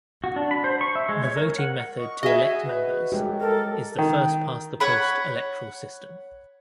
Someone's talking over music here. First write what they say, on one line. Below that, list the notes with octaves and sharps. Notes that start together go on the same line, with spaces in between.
The voting method to elect members is the First Past the Post electoral system.
F#4
D4
B5
C5
C#6
E5
G#3
C#5
A#4
F#5
D#5 C#6
F#4 G#4 D#5 E5
B4
F#2 G#3 G4
A4 A#4
D#3
C#5 F#5 B5